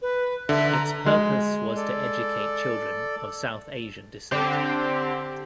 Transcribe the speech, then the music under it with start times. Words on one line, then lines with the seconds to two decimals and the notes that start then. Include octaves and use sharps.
Its purpose was to educate children of South Asian descent.
0.02 B4
0.49 D3 E5
0.72 A#5
1.06 G#3
1.76 A4 D5
4.31 D3 C4 G4